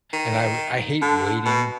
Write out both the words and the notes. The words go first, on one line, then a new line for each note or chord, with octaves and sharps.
and I uh, I hate waiting
D#3
D3
B2